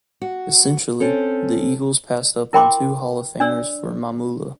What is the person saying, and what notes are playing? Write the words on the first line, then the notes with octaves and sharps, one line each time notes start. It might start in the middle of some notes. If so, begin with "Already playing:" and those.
Essentially, the Eagles passed up on two Hall of Famers for Mamula.
F#4
C4 C#4 A4
E4 A#4 G5 B5 C6 D6
D4 C#5 D5 E6